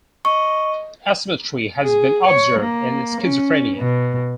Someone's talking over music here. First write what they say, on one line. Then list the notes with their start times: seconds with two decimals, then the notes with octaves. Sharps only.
Asymmetry has been observed in schizophrenia.
0.25 D#5 C#6
1.81 G#4
2.27 C#5
2.58 A#3
3.21 C#4
3.77 B2